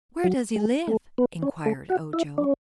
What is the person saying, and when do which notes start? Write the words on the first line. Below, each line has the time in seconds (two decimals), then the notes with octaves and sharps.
"Where does he live?" inquired Ojo.
0.24 F#3
0.56 G#3
0.87 A3
1.18 B3
1.42 C#4
1.66 A3
1.90 F#4
2.13 E4
2.38 D4
2.44 C#4